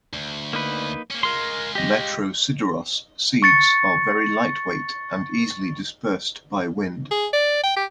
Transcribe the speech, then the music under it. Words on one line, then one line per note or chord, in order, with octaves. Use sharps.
"Metrosideros" seeds are very light weight and easily dispersed by wind.
D2
A#3 D#4 B4
A#3 C#4
G#3 F4 A#4 C6
G4 D#5
C#6 A6 C#7
G#4
D5
G5
G4